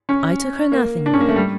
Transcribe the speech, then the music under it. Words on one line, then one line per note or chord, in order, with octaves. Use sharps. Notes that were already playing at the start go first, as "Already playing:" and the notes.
'I took her nothing, Mother.
C#4
A#3
D4
C#4
A#3
A3
G3